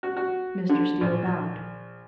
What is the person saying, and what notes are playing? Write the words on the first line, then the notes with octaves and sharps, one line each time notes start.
Mr. Steele bowed.
F#4
F#4
D3
A#1